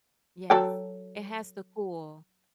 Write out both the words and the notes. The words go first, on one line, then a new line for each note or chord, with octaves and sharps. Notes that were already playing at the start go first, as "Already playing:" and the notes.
Yes, it has to cool.
F#3 A4 G5